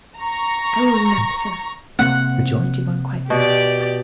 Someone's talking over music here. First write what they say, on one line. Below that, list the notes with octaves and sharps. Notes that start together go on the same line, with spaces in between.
"I will remember, sir," rejoined Yvonne quietly.
A#5 C#6
C3 A#3 C4 F#5
B2 G4 D5